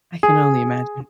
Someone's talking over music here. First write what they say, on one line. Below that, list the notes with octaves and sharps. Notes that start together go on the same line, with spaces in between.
I can only imagine.
G#4